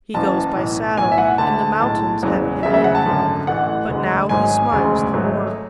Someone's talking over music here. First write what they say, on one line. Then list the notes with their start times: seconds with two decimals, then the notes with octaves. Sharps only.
He goes by saddle, and the mountains hem him in, but now he smiles the more.
0.14 F#1 F#2 E3 A5
0.56 B1 A2 E3
0.97 B1 A2 E3 G#5
1.12 E5
1.18 F#5
1.38 D2 D3 A3 A5
1.80 B1 A2 G#3 A5
2.22 F#1 E2 C#3 F#3
2.63 E1 D2 C#3 F#3 E5
2.74 E5
2.84 F#5
2.95 A5
3.05 G#1 F#2 D3 A3
3.47 A1 A2 E3 A3 F#5
3.88 E1 D2 D3 G#3
4.29 G#1 G#2 F#3 G#5
4.71 E1 D2 C#3 G#3
5.13 G#1 G#2 F#3 A3